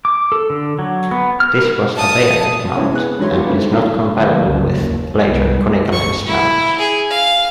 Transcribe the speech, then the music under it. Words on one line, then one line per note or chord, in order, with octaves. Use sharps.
This was a bayonet mount, and is not compatible with later Konica lens mounts.
D6
A4
D3
F#3
B3
F6
A#4
A5 D#6
C3 E3 G#3 C4 C#4
B3 G#4 F#6
A1 G#2 F#3 C#5 C6
G3 B3 F4 G4
D2 G#2 A3 C4
A2 D3 F#3
A2 D3 F3 G3 G#3 A#3
F#1 C#2 G2 F#3
D#2
C2 D#3 G3 B3
C#6
E4
G#4
F5